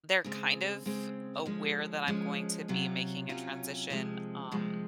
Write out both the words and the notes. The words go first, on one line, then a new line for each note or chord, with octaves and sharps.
they're kind of aware that I'm going to be making a transition, um,
C#3 G#3 C4
C#3 G#3 C4
F3 G#3 C#4
F3 G#3 C#4
C3 F#3 C#4 F4
C3 F#3 C#4 F4
C3 F3 G#3
C3 F3 G#3